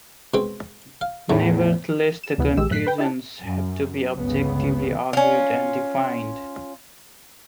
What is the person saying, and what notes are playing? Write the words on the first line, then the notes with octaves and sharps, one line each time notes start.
Nevertheless the conclusions have to be objectively argued and defined.
B2 G#3 C4
F5
E2 A2 A3
E7
D2 C3 E3 B3
A#1 D#3 G#3 G4 E6
F#2 A2 F#6 B6 C7
B4 G5
D#4 E4 G4 A5
F#2
G1 C#2 C#3 B3
C#4 F4